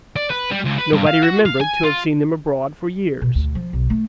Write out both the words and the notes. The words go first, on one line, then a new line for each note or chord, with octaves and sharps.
Nobody remembered to have seen them abroad for years.
D5
B4
G3
C#2
B4
G2
F5
F#4
F5
G#5
F4
B2
D2
F3
B1
A3